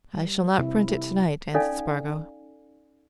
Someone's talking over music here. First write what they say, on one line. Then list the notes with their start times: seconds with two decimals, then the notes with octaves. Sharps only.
"I shall not print it tonight," answered Spargo.
0.14 G3
0.58 C3 E4
0.89 E4
1.54 C#4 D#4 A4 D5 F5 G#5